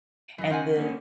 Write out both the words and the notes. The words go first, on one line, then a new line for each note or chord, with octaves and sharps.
and the
F#2 E3 D#5
C#3 F3 F#5 G#5
A#3 C#4